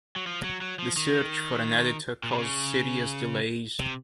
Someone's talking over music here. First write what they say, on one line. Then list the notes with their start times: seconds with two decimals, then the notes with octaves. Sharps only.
The search for an editor caused serious delays.
0.16 F#3
0.26 F3
0.44 F#3
0.62 F#3
0.79 F3
0.97 D#3
2.23 A#2
2.31 C3
2.38 C#3
3.80 C3